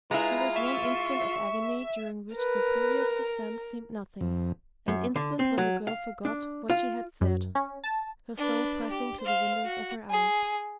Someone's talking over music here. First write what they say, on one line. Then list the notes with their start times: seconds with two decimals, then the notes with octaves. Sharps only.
There was one instant of agony during which the previous suspense seemed nothing--an instant when the girl forgot what she had said, her soul pressing to the windows of her eyes.
0.11 G#3 E4 F4 B4 A#5
0.56 E5 C#6
2.36 A#4 B4
4.21 F2
4.88 F#2
5.16 D3
5.39 C4
5.58 F#3
5.87 F5
6.25 D4
6.70 F4
7.21 F#2
7.55 C#4
7.84 A5
8.37 D4 B4
8.89 G4
9.21 C5 F5
9.64 F#4
10.10 G#4